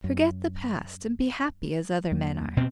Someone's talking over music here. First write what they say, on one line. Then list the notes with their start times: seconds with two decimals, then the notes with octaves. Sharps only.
Forget the past and be happy as other men are.
0.04 F#2
2.11 E2 F#3 A#3
2.57 B2 C4